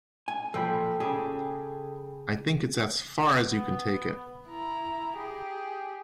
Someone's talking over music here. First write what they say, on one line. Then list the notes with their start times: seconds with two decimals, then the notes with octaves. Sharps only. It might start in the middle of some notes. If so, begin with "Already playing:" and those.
I think it's as far as you can take it.
0.28 G#5
0.54 A#2 F3 A4 G5 B5
1.00 C#3 G4 G#4
3.48 B3
4.47 E4 A#5
5.16 G4 G#4